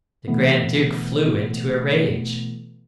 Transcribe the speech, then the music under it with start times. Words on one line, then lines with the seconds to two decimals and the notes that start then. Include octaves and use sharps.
The grand duke flew into a rage.
0.28 B2 E3 A3 B3